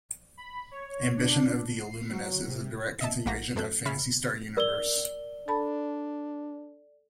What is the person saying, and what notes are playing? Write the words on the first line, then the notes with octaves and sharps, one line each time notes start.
"Ambition of the Illuminus" is a direct continuation of "Phantasy Star Universe".
B5
C#5
D4
C7
F#3
C3
D#5 E5 A5
A#1 A2 A#3 F#5 A#6
F#2 A3 A4 F#6 G6
C#3 E5 B5 F6
A#4 D5 E6 G7
D4 A4 A5 B5